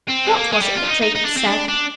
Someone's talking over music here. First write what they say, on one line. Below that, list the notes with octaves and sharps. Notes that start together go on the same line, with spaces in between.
What was it that Drake had said?
C4
G#3
A#3
G#3
G3
F4
D4
D#4
D#4
D#4
D4
C4
D4
D4